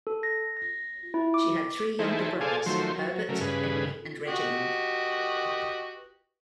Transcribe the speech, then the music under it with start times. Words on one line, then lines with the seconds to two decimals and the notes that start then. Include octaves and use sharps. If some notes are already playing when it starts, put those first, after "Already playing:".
She had three younger brothers, Herbert, Henry and Reginald.
0.07 A4
0.23 A#6
0.57 A#6
1.14 E4
1.34 D6
1.99 E3 D#4 E4 G#4 A4 C5
2.41 G#4 A4 C5 D5 F5 G#5
2.66 D#3 F3 F#3 A3 C5 C6
2.96 F#3
3.29 C#3 F#3 A3 A#4
3.41 G2 C#3 G#4 B4
4.27 F#4 G4 D#5